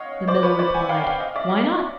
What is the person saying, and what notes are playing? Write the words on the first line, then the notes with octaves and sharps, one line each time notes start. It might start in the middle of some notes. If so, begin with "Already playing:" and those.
The miller replied, 'Why not?
Already playing: C#5 D#5 F5 F#5
C5 D5
B4 C#5
C5 D5
F#5 G#5
F5 G5
F5 G5
D#5 F5
D5 E5
C#5 D#5